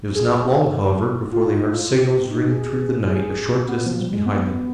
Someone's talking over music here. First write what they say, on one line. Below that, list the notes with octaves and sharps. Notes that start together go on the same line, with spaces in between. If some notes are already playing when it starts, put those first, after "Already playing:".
It was not long, however, before they heard signals ringing through the night a short distance behind them.
G#4
F4
D#4
F4
G4
G4
D#4
G#4
G#4
B3
F3
G3
G#3
B3